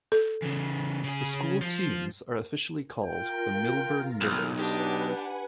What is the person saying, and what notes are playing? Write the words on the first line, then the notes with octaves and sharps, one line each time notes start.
The school teams are officially called the Millburn Millers.
A4
E2 C#3
C#3 G#4
F3
F4 A#4 G5
B1 D#4 F6
D4 G4 B4 D#5 F#5 G#5